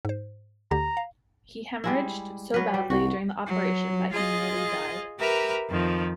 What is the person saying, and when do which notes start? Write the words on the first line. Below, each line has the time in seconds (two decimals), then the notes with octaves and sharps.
He haemorrhaged so badly during the operation that he nearly died.
0.05 G#2 C5
0.71 D2 D3 G4 A#5
0.97 F5
1.84 G3 G#3 E4
2.54 F#3 B4
2.74 G3
2.90 C2 F#4
3.46 F#3
4.12 F4 G#4 D#5 A6
5.19 G4 A#4 B4 E5 A#5
5.68 F2 D#3 F3